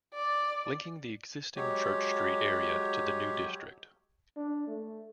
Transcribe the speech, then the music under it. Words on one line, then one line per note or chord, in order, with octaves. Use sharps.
Linking the existing Church Street area to the new district.
D5
F#3 G#3 G4 C#5
D4
A3